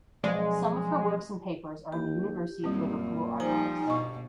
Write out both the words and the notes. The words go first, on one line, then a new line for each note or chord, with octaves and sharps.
Some of her works and papers are in the University of Liverpool archives.
B1 F2 G#3 D5
D#2 G4
F#2 A#2 G3 C4
F3 G3 D#4 C5 G#5 A#5
G1 B2 D#5 C#6